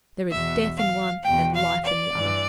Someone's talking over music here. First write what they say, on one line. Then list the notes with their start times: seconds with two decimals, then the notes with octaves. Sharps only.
There is death in one and life in the other.
0.31 E2 B2 E5
0.77 F5
1.23 E2 B2 G5
1.54 F5
1.84 D5
2.15 G2 E3